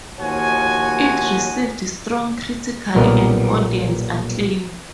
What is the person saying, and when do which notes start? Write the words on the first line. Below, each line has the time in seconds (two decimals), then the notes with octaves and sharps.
It received strong critical and audience acclaim.
0.19 D#2 F3 F#4 C#5 G#5
2.95 B1 A#2 G3 B3 A#4 D#5